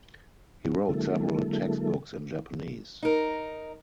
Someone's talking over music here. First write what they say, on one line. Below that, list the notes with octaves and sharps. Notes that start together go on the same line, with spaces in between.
He wrote several textbooks in Japanese.
D3 F#3 G#3 A#3 E4 A4
D#4 A#4